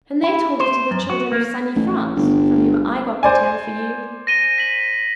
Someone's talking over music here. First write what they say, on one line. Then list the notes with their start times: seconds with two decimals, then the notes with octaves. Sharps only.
And they told it to the children of sunny France, from whom I got the tale for you.
0.23 E4
0.60 C5
0.91 F#2
1.10 F#4
1.32 A#3
1.75 A1
2.16 G1
3.23 C5 D5 G#5
4.27 A#6 D#7 G7
4.58 B6 F#7